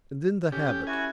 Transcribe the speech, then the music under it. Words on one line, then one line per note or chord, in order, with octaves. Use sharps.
And then the habit!
C#4 G4 A4
E4 F#4 G#5